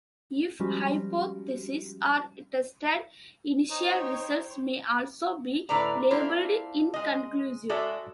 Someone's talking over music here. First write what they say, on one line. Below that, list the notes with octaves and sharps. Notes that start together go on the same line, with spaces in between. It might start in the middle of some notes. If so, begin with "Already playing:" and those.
If hypotheses are tested, initial results may also be labeled inconclusive.
F3 G3 G#3 C#4 F#4 G4
D#4 C5 C#5 G5
A2 D3 B4 D5 A#5
A#3 C4 D4 E4 F4 A4
G#3 D#5
G#3 F#4 A4 C#5 D5 E5